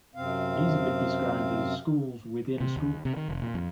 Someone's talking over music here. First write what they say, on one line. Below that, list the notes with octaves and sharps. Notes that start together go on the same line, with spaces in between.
These have been described as 'schools within a school'.
F#2 C3 C4 F5
C3
D#2
C3
D#3
F1
A#2
F2